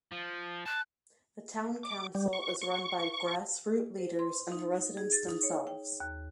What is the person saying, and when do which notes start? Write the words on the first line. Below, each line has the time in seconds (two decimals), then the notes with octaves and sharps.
The Town Council is run by grassroot leaders and the residents themselves.
0.12 F3
0.66 A5 F#6
1.83 D6
2.15 G3
2.33 C#6
2.62 C#6
3.98 C5
4.19 C6
4.52 D#4
4.97 G#4
5.12 A6
5.29 D#4
5.43 C#5
5.67 G5
6.00 D#2